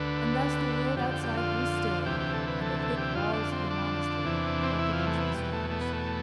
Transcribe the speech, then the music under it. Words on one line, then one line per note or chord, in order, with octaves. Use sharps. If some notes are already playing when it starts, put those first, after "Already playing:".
And thus the world outside grew still, and the thick walls of the Monastery loomed up against the stars.
Already playing: D2 D3 B4
F2 D3 G4
G4
G4
F4
D2 C3 E3 G4
G4
A4
B4
A4
A4
G4
F2 D3 F4
D4
C4
D4
E2 C3 E3
C4
D4
E4
F4
A3
B3
E2 B2 G3
A3
A3
B3
A3